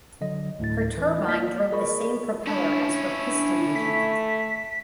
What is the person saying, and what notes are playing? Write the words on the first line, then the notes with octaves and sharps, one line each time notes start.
Her turbine drove the same propeller as her piston engine.
D3 F#3 D#5
D2 A2 A6
E3
A#3 D5 D#5 B6
G#4 A#4 D5 D#5 B5 C#6
C#4 D4 E4
A3 B6